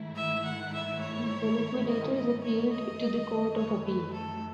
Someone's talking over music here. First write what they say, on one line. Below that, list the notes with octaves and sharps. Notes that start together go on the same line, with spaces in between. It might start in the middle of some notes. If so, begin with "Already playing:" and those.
The liquidators appealed to the Court of Appeal.
Already playing: G#2 D#3 A3 E4
E5
F#5
E5
C#5
D#5
D#5
C#5
F#2 D#3 A3 D#5
C#5
B4
A4